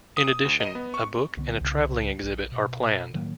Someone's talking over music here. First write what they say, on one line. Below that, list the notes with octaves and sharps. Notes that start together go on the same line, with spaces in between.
In addition, a book and a travelling exhibit are planned.
D#6
D#6
D2
D#5
B3
C#6
C2 D3 B3
C2 C#3
A#1
B2
A2 D#3 F#3 A#3